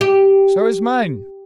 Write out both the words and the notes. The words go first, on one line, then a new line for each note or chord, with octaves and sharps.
"So has mine."
G4